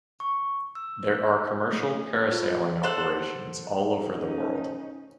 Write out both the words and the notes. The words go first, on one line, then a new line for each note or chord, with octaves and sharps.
There are commercial parasailing operations all over the world.
C#6
E6
A3
F4
A4 C5 F#5
C#4 D#4